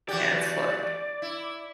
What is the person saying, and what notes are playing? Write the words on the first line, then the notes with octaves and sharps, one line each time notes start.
and it's like
E3 F#4 G4 D5
E4